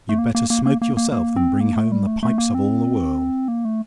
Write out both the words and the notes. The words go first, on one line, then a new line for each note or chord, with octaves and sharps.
You'd better smoke yourself, than bring home the pipes of all the world.
A3
A#3
A#3
A#3
A#3
A#3
A#3
A#3
C4
A#3
A3
G3
A3
A3
A#3
C4
A#3
A3